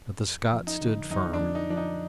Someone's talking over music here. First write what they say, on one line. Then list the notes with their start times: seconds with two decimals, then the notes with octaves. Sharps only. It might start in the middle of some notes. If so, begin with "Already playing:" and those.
But the Scots stood firm.
0.23 F2
0.53 F3
0.67 D#4
0.81 D3
1.11 F2 D#4
1.33 D4
1.41 F2
1.55 D#4
1.70 F3 D4
1.77 D#4